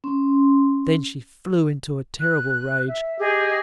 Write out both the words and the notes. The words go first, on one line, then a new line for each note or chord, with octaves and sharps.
Then she flew into a terrible rage.
C#4 C6
F#6
E5
G4 G#4 D#5